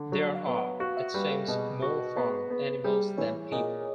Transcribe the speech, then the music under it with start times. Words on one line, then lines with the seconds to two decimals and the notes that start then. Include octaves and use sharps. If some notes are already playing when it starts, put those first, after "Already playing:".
There are, it seems, more farm animals than people.
Already playing: D3
0.12 F#3 F#5
0.35 F5
0.46 B3
0.57 F#5
0.80 F#4 F5
0.97 E5
1.14 G3 B4
1.31 A4
1.48 B2 G#4
1.82 F#4
2.17 B3
2.50 B3
2.84 G3 G#4
3.18 E3 C#5
3.52 A#2 D#5